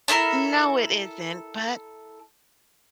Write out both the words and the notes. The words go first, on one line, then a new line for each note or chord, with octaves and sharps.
No, it isn't, but
D4 E4 A4 A#4